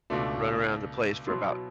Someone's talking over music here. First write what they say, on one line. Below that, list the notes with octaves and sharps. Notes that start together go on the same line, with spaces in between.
run around the place for about
C#2 B2 A3 D4 F#4
B2 F#3 B3 E4 F#4